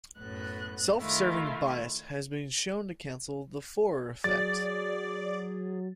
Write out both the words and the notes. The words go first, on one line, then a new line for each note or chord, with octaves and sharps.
Self-serving bias has been shown to cancel the Forer effect.
F#2 A2 B3 F#6
D#3 A3 E4 F4
F#3 G#4 D5 A6